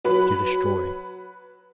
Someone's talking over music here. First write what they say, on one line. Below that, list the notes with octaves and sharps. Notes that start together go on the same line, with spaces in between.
To destroy.
F#3 B4 B5